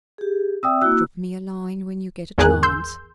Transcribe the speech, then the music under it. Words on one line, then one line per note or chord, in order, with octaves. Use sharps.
"Drop me a line when you get a chance."
G4 G#4
C4 D5 E5 G5 D#6 E6
A#3 E4 F#4 E6 F#6
G#1 E2 G#4 A#4 G#5 F#6
C6 E6 G6